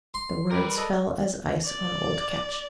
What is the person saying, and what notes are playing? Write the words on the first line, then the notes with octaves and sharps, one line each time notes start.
The words fell as ice on old Ketch.
C6
G3 G4 A#4 B4
A4 D#5
D5